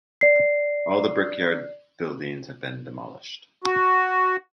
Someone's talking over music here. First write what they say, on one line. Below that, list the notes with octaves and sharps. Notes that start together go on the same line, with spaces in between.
All the brickyard buildings have been demolished.
D5 C7
F#4